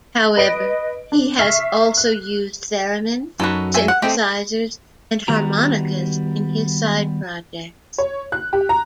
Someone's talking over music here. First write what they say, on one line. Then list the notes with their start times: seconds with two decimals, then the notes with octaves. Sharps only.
However, he has also used theremins, synthesizers and harmonicas in his side projects.
0.37 B4 D#5 D7
1.12 D4
1.39 E5 C#6 F6 B6 C7
1.97 F#6
3.40 F#2 D#4 F#4 A4 B4
3.74 A4 E5 G#5
3.88 F#5
4.02 G#3 A3 C4 G4
5.28 D#3 G3 B3 F#4 A#5
7.98 C#5
8.32 F#6
8.53 G4
8.69 A#5